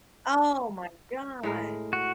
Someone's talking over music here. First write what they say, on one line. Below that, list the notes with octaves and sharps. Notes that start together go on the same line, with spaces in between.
Oh my god!
A2 G#3 A#4
F#4